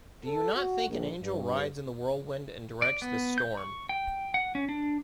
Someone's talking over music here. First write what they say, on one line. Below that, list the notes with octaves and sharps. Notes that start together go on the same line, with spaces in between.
Do you not think an angel rides in the whirlwind and directs this storm.
A4
F#4
A#1
G2
D5
B3
G6
C#6
G5
F#5
C#4
D4